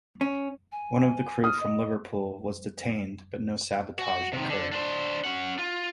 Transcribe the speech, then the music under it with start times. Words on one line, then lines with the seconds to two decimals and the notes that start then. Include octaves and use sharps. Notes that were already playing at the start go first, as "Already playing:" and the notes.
One of the crew from Liverpool was detained but no sabotage occurred.
0.21 C#4
0.72 G#5
1.44 D#6 F6
1.61 D#5
3.99 F#4
4.33 C3 D#3
4.50 D3
4.72 D4 C5
5.24 C#4 F#5
5.59 F4